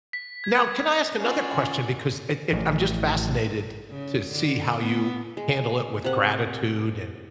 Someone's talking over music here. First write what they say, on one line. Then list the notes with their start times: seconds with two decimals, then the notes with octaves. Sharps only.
Now, can I ask another question, because it it I'm just fascinated to see how you handle it with gratitude and
0.13 B6
0.44 G#6
1.18 C#4 F4 F#4 D5
2.53 A1 F3
3.90 C#3
4.31 D3
4.80 B3
5.37 G#3
6.04 C3 F#5